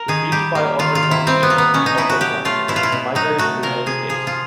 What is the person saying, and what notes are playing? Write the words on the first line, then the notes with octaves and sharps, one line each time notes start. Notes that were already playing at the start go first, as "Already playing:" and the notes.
Defeated by Obregón in Ocotlán, he migrated to the United States.
Already playing: A#4
D#3 G#4
G3 G4
A#3
D#3 F4
F4
D#3
E4
G3 C4
B3
A#3
B3
B2 C#4
D#4
B2 E4
F#4
F#3 G4
A3 F4
B2 E4
F4
E4
B2
F#3 D#4
A3 F#4
C3 A#4
C3 G#4
F3 G#4
F4